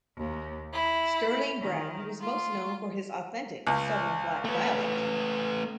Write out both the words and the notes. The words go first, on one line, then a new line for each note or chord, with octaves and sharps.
Sterling Brown was most known for his authentic southern black dialect.
D#2
E4
D#3
F4
C#2
A3 B4